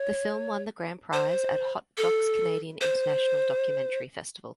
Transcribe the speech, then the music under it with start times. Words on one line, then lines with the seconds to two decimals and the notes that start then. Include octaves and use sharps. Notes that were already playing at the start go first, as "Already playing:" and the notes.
The film won the grand prize at Hot Docs Canadian International Documentary Festival.
Already playing: C#5
1.13 C5
1.97 A4
2.81 C5